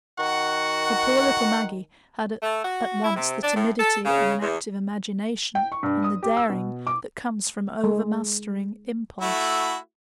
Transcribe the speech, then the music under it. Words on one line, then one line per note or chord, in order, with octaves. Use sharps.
For poor little Maggie had at once the timidity of an active imagination and the daring that comes from overmastering impulse.
D#3 F#4 F#5
A3
F#4
E4
C3
D4
A2
A4
C#3
E2
G5
C#6
G2
D#6
G4
E6
B2
D6
G#3
A3 E4 F#4